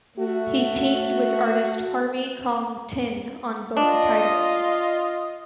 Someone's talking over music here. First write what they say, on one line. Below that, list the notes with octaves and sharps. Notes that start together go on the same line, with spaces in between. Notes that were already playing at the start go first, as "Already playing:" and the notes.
He teamed with artist Harvey Kong Tin on both titles.
A3 F#4
D4 F4 D#5